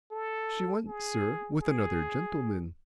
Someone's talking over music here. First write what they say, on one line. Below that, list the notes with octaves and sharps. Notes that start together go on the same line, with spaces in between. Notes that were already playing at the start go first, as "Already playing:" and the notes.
"She went, sir, with Another Gentleman."
A4
G#4
G#4